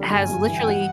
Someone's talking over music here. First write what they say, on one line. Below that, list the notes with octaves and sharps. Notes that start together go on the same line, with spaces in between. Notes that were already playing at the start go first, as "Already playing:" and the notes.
has literally,
Already playing: D3 G3
G2 G#5
G2
E3
G5
G3 F#5